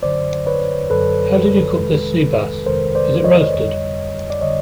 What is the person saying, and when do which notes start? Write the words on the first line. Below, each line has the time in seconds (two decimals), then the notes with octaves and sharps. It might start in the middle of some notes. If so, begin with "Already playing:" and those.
How did you cook this seabass? Is it roasted?
0.03 F#2 D3 F#3 C5 D5
0.46 B4 C#5
0.90 F#2 D3 F#3 A4 B4
1.78 F2 C3 D#3 G#3
2.66 F2 C3 D#3 G#3 A#4 C5
2.95 C5 D5
3.25 C#5 D#5
3.54 F2 D3 G3
4.30 D5
4.41 D3 G3 C#5 D#5